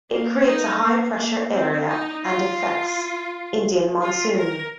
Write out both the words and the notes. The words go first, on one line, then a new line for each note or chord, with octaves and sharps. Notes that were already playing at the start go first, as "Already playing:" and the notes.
It creates a high-pressure area and affects Indian Monsoon.
A#3
D#4
A#3
A#3
C4
D#4
F4
F4
A#4